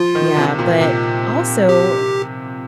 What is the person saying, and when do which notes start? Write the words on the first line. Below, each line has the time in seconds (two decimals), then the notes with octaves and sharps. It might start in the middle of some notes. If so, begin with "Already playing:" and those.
yeah. But also
Already playing: F3 F4
0.15 D#3
0.37 C3
0.59 A#2
0.81 C3
1.69 G4